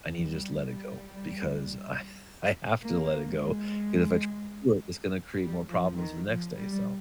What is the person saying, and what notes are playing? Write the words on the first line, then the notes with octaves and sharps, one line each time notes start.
I need to just let it go. Because I I have to let it go. 'Cause if I try to do it, it's gonna create more problems the next day, so
G3
A#3
G#3
G3
F3
D#3
F3
G3